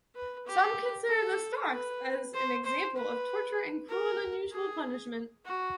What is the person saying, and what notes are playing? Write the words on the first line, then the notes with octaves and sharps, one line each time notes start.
Some consider the stocks as an example of torture and cruel and unusual punishment.
B4
G4
A4
B4
C5
C5
B4
A#4
G#4
F#4